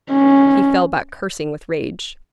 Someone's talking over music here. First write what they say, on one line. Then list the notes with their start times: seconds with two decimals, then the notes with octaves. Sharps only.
He fell back cursing with rage.
0.12 C#4